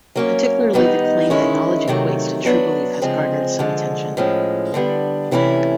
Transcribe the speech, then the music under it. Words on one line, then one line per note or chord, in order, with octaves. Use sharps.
Particularly the claim that knowledge equates to true belief has garnered some attention.
F#3 A#3 C#4
D#3 G3 B3 D#4
D#3 G#3 C#4 E4
C3 D#3 F#3 A3
F#3 B3 D4
C#3 F3 G#3 C4
D3 F3 G#3
A2 F3 G#3 C#4
D3 G3 B3 D4
C3 E3 A3 C#4 E4